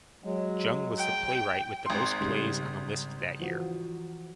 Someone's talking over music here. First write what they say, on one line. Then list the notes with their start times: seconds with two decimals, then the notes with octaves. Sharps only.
Jung was the playwright with the most plays on the list that year.
0.24 F#3 G#3
0.98 G5
1.86 G#1 C6
2.20 G#2 C#3 G3
3.40 E3 F3 F#4